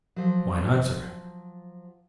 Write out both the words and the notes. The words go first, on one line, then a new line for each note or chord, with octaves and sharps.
"Why not, sir?"
F3 F#3